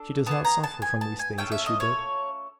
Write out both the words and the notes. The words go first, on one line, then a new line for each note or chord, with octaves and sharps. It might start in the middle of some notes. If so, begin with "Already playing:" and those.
She does not suffer from these things as she did.
Already playing: D4 A4
B3 E4 G#4 A5
A#5
A5
G#5
A5
G#5
A3 C#4 F4 A4 G5
E5
D#5
C#5